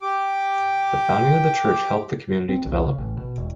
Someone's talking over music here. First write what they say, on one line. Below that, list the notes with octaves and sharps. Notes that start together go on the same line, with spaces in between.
The founding of the church helped the community develop.
G4 D6
C4
C2
C#3
A1
B2
E1